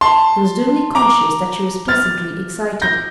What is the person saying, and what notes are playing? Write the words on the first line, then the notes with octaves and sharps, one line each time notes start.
She was dimly conscious that she was pleasantly excited.
A5 C6
A#5 D6
F6 A6
G6 A#6